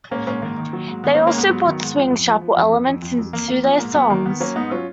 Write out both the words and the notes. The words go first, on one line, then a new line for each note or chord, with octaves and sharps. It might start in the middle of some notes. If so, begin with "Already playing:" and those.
They also put swing shuffle elements into their songs.
G#2 A#3 C#4
G#2 A#3 C#4
D#3 A#3
D#3
F#3
G#2
D#3 B3
A#3 C#4
G#2
A#3 C#4
G#2 B3
F#3 B3
D#3
G#2
F3
F2
F3
F3
F2
F2
F2
F2
F2
F2 A#3
F2 A#3
F3 B3
G#2 A#3
F#3 B3
D#3 A#3
D#3 B3
F#3 A#3 C#4
G#2 B3 D#4
F#3 C#4 F4